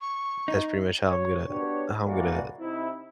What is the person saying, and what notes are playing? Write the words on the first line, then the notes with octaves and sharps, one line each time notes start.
that's pretty much how I'm gonna how I'm gonna
C#6
D#4
C#5
B3 D4 F#4 G4 C#5
D2 A2 E3 A#3 F#4 D5
C3 C4 D#4 E4